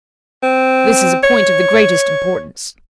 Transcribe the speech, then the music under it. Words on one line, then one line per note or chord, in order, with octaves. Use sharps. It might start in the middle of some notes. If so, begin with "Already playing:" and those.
This is a point of the greatest importance.
C4
C#5